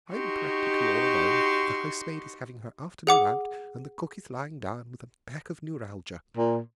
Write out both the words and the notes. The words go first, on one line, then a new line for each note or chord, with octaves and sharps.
I’m practically all alone; the housemaid is having her afternoon out and the cook is lying down with an attack of neuralgia.
D#4 F#4 G4 C6 C#6
G#4 F#5 D6
A#2